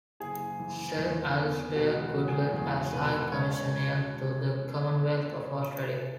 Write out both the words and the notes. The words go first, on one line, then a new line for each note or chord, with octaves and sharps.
Sir Alastair Goodlad, as High Commissioner to the Commonwealth of Australia.
F#1 G#4
E3
E2
B3
E1 F#4
F#4
E1
G#4
E2 G#4
B2 B4
G#3 C#5
C#5